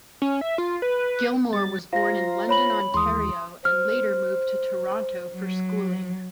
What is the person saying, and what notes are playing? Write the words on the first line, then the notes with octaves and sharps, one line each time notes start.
Gilmour was born in London, Ontario, and later moved to Toronto for schooling.
C#4
E5
F4
B4
G3 A6
F4 C5 F5 A#5 A#6
C#5 B5 F#7
D#2 E3 G#3 C6 D#6
C5 F6
F#3